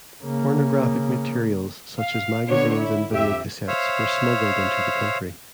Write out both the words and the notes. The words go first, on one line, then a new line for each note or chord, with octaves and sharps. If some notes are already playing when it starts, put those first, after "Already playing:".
Pornographic materials such as magazines and videocassettes were smuggled into the country.
C#3 A#3
F5
D3 B3 C#5
E4
F2 G4 E5
C5 C#5 E5 F5